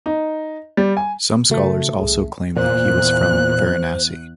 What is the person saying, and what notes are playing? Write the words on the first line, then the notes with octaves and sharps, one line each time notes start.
Some scholars also claim that he was from Varanasi.
D#4
G3
G#5
A1 C#3 A3 F#4
C2 G#4
E2 A#2 C5 F#6